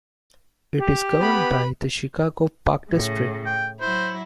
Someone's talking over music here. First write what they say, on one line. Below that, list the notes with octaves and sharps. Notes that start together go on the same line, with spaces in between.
It is governed by the Chicago Park District.
G4
B3 B4 B5
A2 C#3
G5
F#3 E4 C5